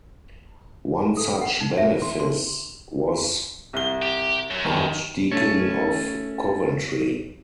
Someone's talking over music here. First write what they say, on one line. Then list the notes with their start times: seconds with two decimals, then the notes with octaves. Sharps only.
One such benefice was Archdeacon of Coventry.
1.17 A4
1.41 F#5
1.60 D#4
1.78 E5
2.02 C6
2.20 C6
3.73 C2 G7
4.02 G4
4.51 F#2
4.65 D#3
5.31 A3 C#4